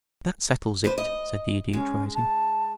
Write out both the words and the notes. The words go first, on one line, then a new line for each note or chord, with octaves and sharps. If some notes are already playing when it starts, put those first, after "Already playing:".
"That settles it," said the Idiot, rising.
D4 B4 C5
D#5
G#3 C#4
A5